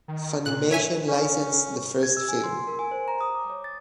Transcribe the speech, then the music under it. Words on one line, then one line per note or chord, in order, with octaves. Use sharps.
Funimation licensed the first film.
D#3
A#2 F#6
C#5 E5 G#5
C#4
G#6
E6
G#5
C6
A#4
G#5
C5
A#5
D#6
D6
C#5
A6